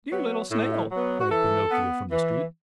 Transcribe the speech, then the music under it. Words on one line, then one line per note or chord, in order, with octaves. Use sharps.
"Dear little Snail," cried Pinocchio from the street.
F#3 B3
A2
F#3 B3
F#4
E3 A4
B3
E3